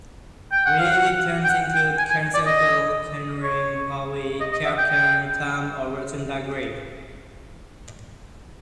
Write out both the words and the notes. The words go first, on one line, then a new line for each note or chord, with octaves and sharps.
Related terms include "cairn circle", "cairn ring", "howe", "kerb cairn", "tump" or "rotunda grave".
G5
F#5
F5
F#5
G5
F#5
G5
G#5
G#5
D5
D#5
C#5
D#5
D#5
E5
G5
G5